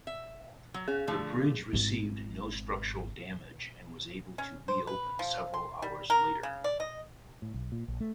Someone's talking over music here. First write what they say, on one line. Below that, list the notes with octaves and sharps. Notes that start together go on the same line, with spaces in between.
The bridge received no structural damage and was able to reopen several hours later.
E5
F#3
C#4 G#4
D3 F3 A3
G#1 E4
C#4
C5
B4
F3
C6
G3
A#4
C#3
D5
D#5
A2
B1
A#2
A#1
A3